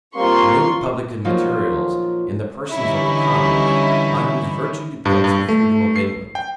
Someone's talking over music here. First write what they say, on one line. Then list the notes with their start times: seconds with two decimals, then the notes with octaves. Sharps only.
The new republican materials, in the persons of the commons, on whose virtue depends the freedom of England.
0.15 G3 A#3 C4 F4 C6 C#6
1.24 A#2 F3 F#3 D#4 F4
2.70 D3 E3 G3 C#4 D#4 E4
5.05 G2
5.24 G2
5.49 A3
5.96 C7
6.35 G5